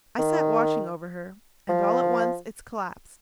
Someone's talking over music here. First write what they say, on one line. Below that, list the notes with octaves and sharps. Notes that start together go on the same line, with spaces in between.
I sat watching over her ... and all at once it's collapsed!
D#3
F3